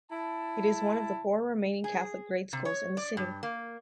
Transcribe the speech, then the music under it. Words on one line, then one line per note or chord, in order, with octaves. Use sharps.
It is one of the four remaining Catholic grade schools in the city.
E4 A5
G#4
C3
C#5
D5
G2
A#3